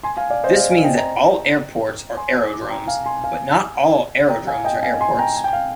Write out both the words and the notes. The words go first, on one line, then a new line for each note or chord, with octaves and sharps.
This means that all airports are aerodromes, but not all aerodromes are airports.
G#5 C6
F5 G#5
D5 F5
C5 D#5
D5 F5
F5 G#5
D#5 G5
G5 A#5
G#5 C6
D6
C6
G5 A#5
F5 G#5
G#5 C6
F5 G#5
G5 A#5
F5 G#5
D#5 G5
F5 G#5
G#5 C6
G5 A#5
G#5
G5
F5